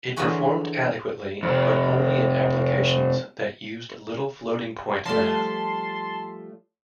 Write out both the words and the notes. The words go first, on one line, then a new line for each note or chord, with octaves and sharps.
It performed adequately, but only in applications that used little floating point math.
D3 E3 F#3 F4 F#4 G#4
F2 C3
F3 G3 A3 A5 C6